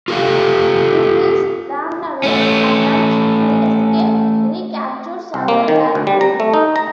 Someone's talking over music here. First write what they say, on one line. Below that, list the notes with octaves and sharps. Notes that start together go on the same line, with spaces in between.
In these runaways' attempts to escape recapture, several were killed.
F4 G4 A4 D5 F5
A3 C#4
C2
A#3
D#3
D2
G3
A#5
A3
D#4
A#5